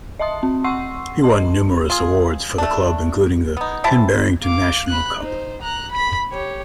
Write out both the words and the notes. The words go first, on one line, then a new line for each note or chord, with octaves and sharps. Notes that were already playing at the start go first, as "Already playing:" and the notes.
He won numerous awards for the club including the Ken Barrington National Cup.
D#5 E5 A5 C6 D#6
C4
F#5 C6 C#6 E6 C7
D#5 A5 C6
F4 G#4
A3 D4
B3 D#4
C3 E3 E4 A5
F5 D6
B5 F#6
D#4 C5
A#5 F#6
B5 B6
G4 C#5